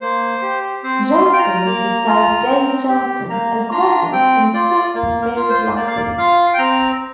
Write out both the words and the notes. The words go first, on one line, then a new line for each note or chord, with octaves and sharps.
Johnston was the son of David Johnston, a grocer, and his wife, Mary Blackwood.
A#3 C5
G4
C4 C5
C6
F4
G5
A#5
A#3
F4
C4
G4
A#3 A#5
D4 F4 A#5
C4 G5
F4 D5
A#3
A#4
F4
C5
A#3 D5
F5
D5
F4 F5
G5
C4 A#5